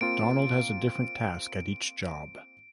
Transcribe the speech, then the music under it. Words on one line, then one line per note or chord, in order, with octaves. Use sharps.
Donald has a different task at each job.
A#3 C4 F4 D7